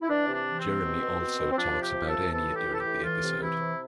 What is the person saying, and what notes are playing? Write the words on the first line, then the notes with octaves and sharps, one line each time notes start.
Jeremy also talks about Enya during the episode.
E4
E3 D4
C3
D4
E3
C4
C3
B2
B2
B2
B2
C4
F3 D4
C3
G4
F3
A4
C3
E3 A4
A2
G4
E3
A4
G4
A2
E3 F4
C3
E3 E4
C3